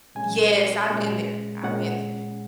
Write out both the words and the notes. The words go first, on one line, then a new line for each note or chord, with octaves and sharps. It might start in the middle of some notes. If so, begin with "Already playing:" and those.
Yes, I've been there. I've been there.
A#2 G#3 C#4 G#5
A#2 G#3 C#4
A#2 G#3 C#4 F#5